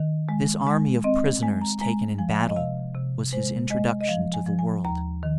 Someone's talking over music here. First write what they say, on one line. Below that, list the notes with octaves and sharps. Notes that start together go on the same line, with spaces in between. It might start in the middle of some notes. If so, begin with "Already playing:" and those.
This army of prisoners taken in battle was his introduction to the world.
Already playing: D#3
G#3
G#3
C4 D#5
G#3 G#5
A#5
G#3 A#5
F3 G#5
F5
G#5
D#5
C3 F5
C3
G#3 C5
G#3 D#5
D#5
F3 F5
G#5
F3
G#5
D#2 A#5
D#3